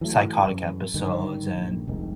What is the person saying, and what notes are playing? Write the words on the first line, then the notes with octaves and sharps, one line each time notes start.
psychotic episodes, and
E3 F#3 G3 A3
F#2
G2 D3 D#3
A#1
F1 C2 G#2 D#3